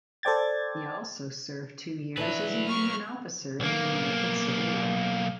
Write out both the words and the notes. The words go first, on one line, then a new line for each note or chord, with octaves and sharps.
He also served two years as a Union officer in the American Civil War.
A4 C5 D5 G5 G#6 A6
E3 F#3 D4 E4 B4
C#6 F6
B1 A#3